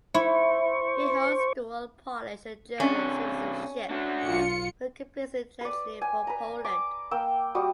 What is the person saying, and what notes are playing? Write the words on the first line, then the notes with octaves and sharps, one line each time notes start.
He holds dual Polish and German citizenship but competes internationally for Poland.
E4 C5 C#6
C3 C#4 D4
D4 F#4
B1 F4 C#7
B4 D5
G#5
B4 A#5
D6
A#3 G5 E6
G3 F#4 D#6